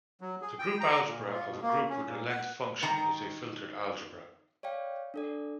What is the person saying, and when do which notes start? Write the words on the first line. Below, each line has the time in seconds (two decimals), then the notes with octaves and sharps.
The group algebra of a group with a length function is a filtered algebra.
0.21 F#3
0.41 G#4
0.59 G5
0.80 A#5
1.07 A#2
1.32 F4
1.49 B2
1.62 A#3
1.90 C#4
2.06 A#2
2.29 F#5
2.82 D#3 A#5
4.63 C#5 D5 F5 G5
5.14 D4 A4 D5